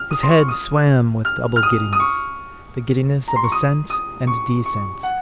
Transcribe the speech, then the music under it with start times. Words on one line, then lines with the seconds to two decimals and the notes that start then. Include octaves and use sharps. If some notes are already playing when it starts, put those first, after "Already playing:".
His head swam with double giddiness--the giddiness of ascent and descent.
Already playing: F6
0.11 D#6
0.23 C6
0.29 C#6
0.48 D#6
1.25 F6
1.56 F6
1.63 D#6
1.93 D#6
2.00 C#6
3.28 A#5
3.36 C6
3.44 C#6
3.52 D#6
3.90 D#6
4.27 C#6
4.66 C#6
5.03 F#5